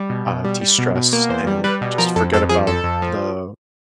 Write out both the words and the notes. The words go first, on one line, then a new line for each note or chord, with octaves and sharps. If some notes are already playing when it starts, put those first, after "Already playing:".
uh, de-stress and just forget about the
Already playing: G3
B2
B2
G3
G3
B2
B2
A#3
E2 C5
G3
G3 B4
B2
F3 A#4
F2 A4
F2 A4
F3 G#4
F2 A4
F2
F3